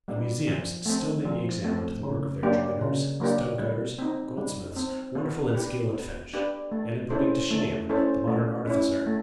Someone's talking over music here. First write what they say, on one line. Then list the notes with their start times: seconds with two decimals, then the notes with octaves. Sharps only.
In museums still may be examined the work of their joiners, stone-cutters, goldsmiths, wonderful in skill and finish, and in putting to shame the modern artificer....
0.08 G3 B3 D4
0.47 F3
0.86 A3 C4
1.25 F3
1.64 A3 C4
2.03 C#3
2.43 F#3 A#3 D4 G4
2.81 C#3
3.20 F#3 A#3 D4 G4
3.59 G3
3.99 C4 D#4
4.37 G3
4.76 C4 D#4
5.15 B3
5.55 D4 G4 B4
5.94 B3
6.33 D4 G4 B4
6.72 A3
7.10 C#4 E4 A4 C5
7.51 A3
7.89 C#4 E4 A4 C5
8.27 A3
8.66 C#4 E4
9.07 A3